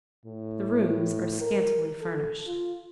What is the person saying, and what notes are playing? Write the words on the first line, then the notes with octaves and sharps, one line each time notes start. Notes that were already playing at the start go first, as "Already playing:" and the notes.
The rooms are scantily furnished.
A2
A#4
A4
F4